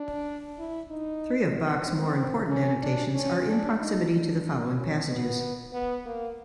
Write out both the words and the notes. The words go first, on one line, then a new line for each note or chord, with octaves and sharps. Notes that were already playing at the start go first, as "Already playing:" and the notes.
Three of Bach's more important annotations are in proximity to the following passages.
Already playing: D4
E4
D#4
B3
C4
C#4
D4
C#4
D4
D#4
D4
C#4
B3
B3
A#3